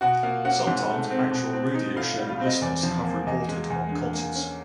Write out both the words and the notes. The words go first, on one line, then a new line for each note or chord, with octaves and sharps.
Sometimes, actual radio show listeners have reported on concerts.
B2 F#4 F#5
A#3 F4 F5
C#4 F#4 F#5
G#2
A3
C4
B2
C4
D#4
A2 F4 F5
G3 F4 F5
F4 F5
C4
D#5
E2 D5
F3
A#3
E2 D#5
G#3
E2
D3
A#3
C#4